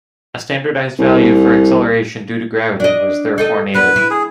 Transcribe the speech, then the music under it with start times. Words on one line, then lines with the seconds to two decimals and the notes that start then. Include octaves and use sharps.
A standardized value for acceleration due to gravity was therefore needed.
0.99 C2
2.80 D4 D#5
3.38 D#4 A4 D#5
3.74 D2 B3 B4
3.96 E4
4.11 G#4